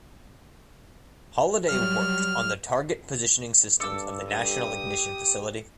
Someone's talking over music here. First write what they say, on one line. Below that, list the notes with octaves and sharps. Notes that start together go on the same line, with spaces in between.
Holliday worked on the target positioning systems of the National Ignition Facility.
F#3 G3 F6
G2 A4 D6 E6
G4 D#6